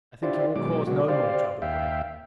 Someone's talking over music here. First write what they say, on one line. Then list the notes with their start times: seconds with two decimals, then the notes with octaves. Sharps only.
"I think you will cause no more trouble, Gregg?"
0.23 D4 E4 F4 G4 C5 D5
0.56 B2 D#3 F#3 G#3 D6
0.87 B2 F#3 G#3 F#4
1.08 G4 C5 D5 F5
1.62 D#2 E5 F5 G5